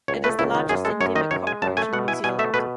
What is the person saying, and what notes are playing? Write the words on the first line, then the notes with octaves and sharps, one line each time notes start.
It is the largest endemic cockroach in New Zealand.
C#2 C#5
A3 B4
C#2 E4
D#3
F#2 G#4
G#3 A4
F#2 C#5
D#3 D#5
F#2 C#5
G#3 G#5
F#2 A5
A3 G#5
B2 F#5
E4 G#5
B2 G#5
A3 E5
B2 B4